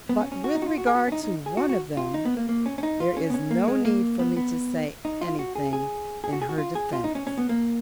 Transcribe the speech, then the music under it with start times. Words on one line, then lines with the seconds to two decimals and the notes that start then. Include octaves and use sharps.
But with regard to one of them there is no need for me to say anything in her defence.
0.09 B3
0.21 C#4
0.32 C#4
0.44 F#4
0.55 D#4
0.62 F#4
0.66 F4
0.78 F#4
0.87 G#4
0.95 F#4
1.08 C#4
1.12 D#4
1.23 D#4
1.46 G#4
1.57 F#4
1.69 F#4
1.97 F4
2.14 D#4
2.25 B3
2.37 A#3
2.49 A#3
2.66 C#4
2.78 C#4
2.83 D#4
3.00 F4
3.17 C#4
3.30 B3
3.34 C#4
3.51 A#3
3.68 G#3
3.85 A#3
4.19 B3
4.37 B3
5.05 D#4
5.21 F4
5.39 F#4
5.55 G#4
5.73 G#4
6.24 G#4
6.33 F#4
6.42 G#4
6.49 F#4
6.58 F4
6.75 G#4
6.93 F4
7.04 D#4
7.15 C#4
7.27 C#4
7.38 B3
7.49 A#3